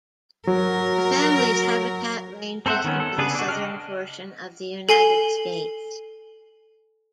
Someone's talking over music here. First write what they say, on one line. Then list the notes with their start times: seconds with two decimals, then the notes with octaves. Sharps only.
The family's habitat ranges into the southern portion of the United States.
0.47 F#3 A#4
2.66 C4 A4 C5 E5 F#5
2.84 D#3 B3 C#4
3.00 A4
3.18 C#3 B3 D4 G#4 B4
3.35 D4 F#4
3.49 D#5 G5 F6
4.89 A4 G#5 C7 G7